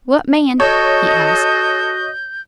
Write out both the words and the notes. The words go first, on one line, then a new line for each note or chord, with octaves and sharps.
"What man?" he asked.
F#4 A4 C#5 D#5 G6